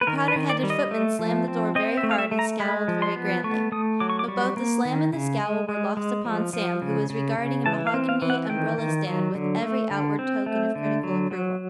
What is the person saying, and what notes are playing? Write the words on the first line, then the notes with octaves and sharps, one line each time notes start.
The powdered-headed footman slammed the door very hard, and scowled very grandly; but both the slam and the scowl were lost upon Sam, who was regarding a mahogany umbrella-stand with every outward token of critical approval.
B4
D#3 A#4
B4
D#3
D5
G3
D#5
A3
F3
C4
C4 D#5
E5
A3
F5
E5
A3
A#5
G#3 B5
F3
C6
B3
A3 C#6
A3 D#6
F#3 D6
C#6
D6
G3 C#6
A#3
D#3
C#3
G#3
G#3
G#3
F3
F3
C#3
C#3
C#3
E3 A5
F5
C4
F5
E3
F#5
D#3 G5
D#3
F#3
D3
A3
D3
C4
A3
D3
F#3
F#3